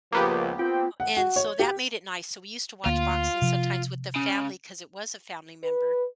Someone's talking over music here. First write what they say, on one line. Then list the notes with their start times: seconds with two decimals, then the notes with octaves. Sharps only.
and so that made it nice, so we used to watch boxing sometimes with the family 'cause it was a family member
0.12 C#2 F3 A#3 B3 G4
0.59 C4 F4 G5
1.00 F#5
1.17 F#4
1.36 C#5
1.59 G4
2.86 D2 A#3 F4
3.42 C3 F3
4.16 C#3
5.64 B4